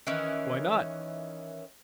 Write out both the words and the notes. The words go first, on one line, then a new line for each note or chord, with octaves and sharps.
"Why not?"
D#3 E3 C#4